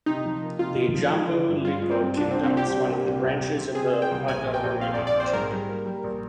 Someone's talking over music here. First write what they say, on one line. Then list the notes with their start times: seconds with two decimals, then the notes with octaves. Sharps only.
The Jambu Lipo Kingdom is one of the branches of the Pagaruyung kingdom.
0.06 C3 D#4
0.24 F3
0.42 A#3
0.59 C3 F4
0.77 A#3
0.94 F3
1.11 G#3
1.29 D3
1.47 G2
1.65 G2 F4
1.82 G#3
1.91 C4
2.00 G2
2.17 C2 D4
2.31 C4
2.35 C2
2.44 C4
2.52 C2
2.57 G4
2.70 C2
2.88 A#2
3.06 C2
3.23 C2
3.41 C2
3.58 C3
3.75 C3 G#4
3.93 C4
4.02 G5
4.11 C2
4.28 A#1 G#5
4.46 A#2
4.54 G5
4.64 A#1
4.80 C4 F5
4.94 D5
4.99 A#1
5.07 D5
5.16 C4 C5
5.33 G#2 A#4
5.51 G3
5.69 A#3
5.86 G3
6.04 A#1